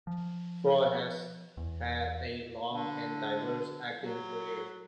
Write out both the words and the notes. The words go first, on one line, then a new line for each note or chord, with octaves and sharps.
Ford has had a long and diverse acting career.
F3
E2
D3
F#3